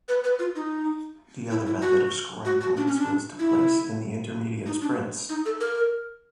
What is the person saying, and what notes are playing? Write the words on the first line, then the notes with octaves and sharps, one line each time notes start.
The other method of scoring points was to place in the intermediate sprints.
B4
B4
F4
D#4
E4
E4
F#4
F#4
F#4
D4
C#4
D4
E4
D#4
D4
D#4
A4
A#4